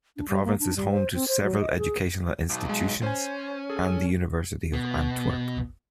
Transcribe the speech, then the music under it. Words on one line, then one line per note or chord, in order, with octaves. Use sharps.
The province is home to several educational institutions and the University of Antwerp.
D4
G3
A#3
D4
G3
C5
C4
C5
F#3
D#5
G#4
B1
G#3
C#4 C5 G#5
G#4 A4
B2